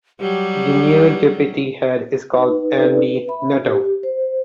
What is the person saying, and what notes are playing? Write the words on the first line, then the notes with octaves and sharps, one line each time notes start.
The new Deputy Head is called Andy Nuttal.
F#3 G3 G4
D#4 B4
C#4 D#4 A4 B4 D5
B4
E5 B5
G4
C5